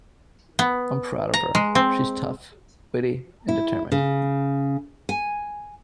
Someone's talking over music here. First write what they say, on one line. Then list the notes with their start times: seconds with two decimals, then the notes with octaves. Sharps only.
"I'm proud of her; she's tough, witty and determined".
0.59 B3
1.34 A#5
1.55 G#3
1.75 C4
3.48 E4
3.92 C#3
5.09 G#5